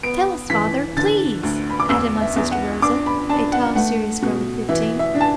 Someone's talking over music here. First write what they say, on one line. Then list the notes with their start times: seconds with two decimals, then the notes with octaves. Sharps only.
"Tell us, father, please," added my sister Rosa, a tall, serious girl of fifteen.
0.03 B3 D7
0.50 E3 B6
0.97 D3 A6
1.43 D2
1.70 B5
1.80 D6
1.89 E2 E6
2.21 E5
2.36 E2
2.51 F#5
2.82 D4 D6
3.06 B5
3.29 D4 A5
3.52 F#5
3.75 A3 F#5
4.22 B2
4.69 E3 E5
4.99 E5
5.15 D4
5.21 A5